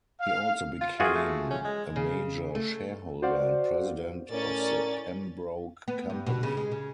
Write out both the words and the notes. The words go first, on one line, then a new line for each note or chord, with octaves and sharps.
He also became a major shareholder and president of the Pembroke Company.
F5
F4
E3 F4 F#4 G#4
A3
C#4
G#3
C#3
A3
F#4 C5 D5 F5 F#5
A2 C#4 A#4 D5 A6
B3
G2
B2
C#3
G#3
C#3